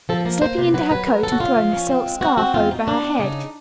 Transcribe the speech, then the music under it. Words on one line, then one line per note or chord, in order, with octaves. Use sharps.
Slipping into her coat, and throwing a silk scarf over her head.
F3 A4
A4
A#3 A#4
A#3 C5
C3 B4
F#3 B4
F#3 B4
F#3 A#4
C#3 A4
F#4
A#3 F4
F3
C#4
C4
G#3
C4 F#4
C4 F#4
E2 F4
B2 D#4
E2 D4
E2
C#3 D#4